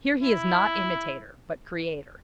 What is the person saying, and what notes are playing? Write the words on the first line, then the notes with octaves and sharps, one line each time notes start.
Here he is not imitator, but creator.
E4